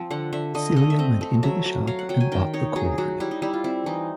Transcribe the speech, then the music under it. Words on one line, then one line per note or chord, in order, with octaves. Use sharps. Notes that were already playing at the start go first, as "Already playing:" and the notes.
Celia went into the shop, and bought the cord.
Already playing: F3 C4
D3 F#5
D3 E5
D3 D#5
A3 D#5
E5
C4 D#5
A3
F#3 E5
F#3
F#3 F5
F#5
F#3 G5
G#5
D#3 G5
D#4 C#5
F#3 G#4
F#3 F#4
G3 E4
D#4
G3 E4
F4
C4 E4
E3 D#4